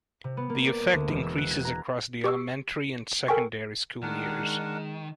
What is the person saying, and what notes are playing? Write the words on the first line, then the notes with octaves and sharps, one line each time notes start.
The effect increases across the elementary and secondary school years.
C3
B3
A#3
D5
D#5
D2
E1
E6
F#6
G#6
A#5
G4 C#6 E6
A4 A#4 G5 G#5 C#6
D#3 G#3 D4 A#4 F#5